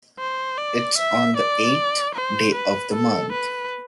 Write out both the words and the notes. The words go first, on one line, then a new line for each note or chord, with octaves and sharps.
It's on the eighth day of the month.
C5
D5
E5
D5
C5
B4
A4
B4